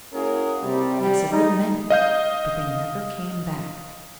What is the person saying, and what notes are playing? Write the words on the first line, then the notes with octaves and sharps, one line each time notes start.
Yes--a good many--but they never came back.
A#3 C#4 E4 F#4 G#4 A#4
C3 G3
G3
D#4
D#5 F5 G6